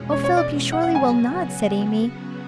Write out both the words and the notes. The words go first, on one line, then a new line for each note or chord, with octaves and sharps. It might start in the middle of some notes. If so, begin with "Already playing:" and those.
'O Philip, you surely will not?' said Amy.
Already playing: E2 B2 G#3 C#4
C#5
C#5
D5
F#5
F#5
C#3 F#3 B3 F#4 G#5